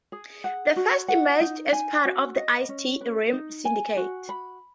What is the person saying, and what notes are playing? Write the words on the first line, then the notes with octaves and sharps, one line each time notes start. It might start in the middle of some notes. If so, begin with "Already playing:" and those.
He first emerged as part of Ice-T's Rhyme Syndicate.
G#4
F#5
F#4
F#5
D#4
G#5
F#4
D#5
C#4
B4
D#4
G#5
F#4
B5